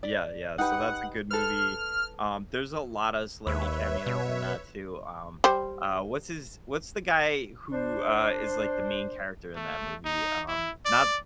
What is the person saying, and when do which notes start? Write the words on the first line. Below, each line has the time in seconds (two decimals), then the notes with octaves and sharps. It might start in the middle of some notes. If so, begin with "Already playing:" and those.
Yeah, yeah, so that's a good movie, um, there's a lotta celebrity cameos in that too, um, uh, what's his what's the guy who, uh, is, like, the main character in that movie, um, not
0.03 D5
0.58 D#4 G4 B4 F#5
1.31 A4 B4 F6
3.46 D#2 B4 C#5 E5
4.06 B2
5.44 G3 C5
7.72 D4 C5
9.56 A3
10.05 D#4
10.48 E4
10.86 D5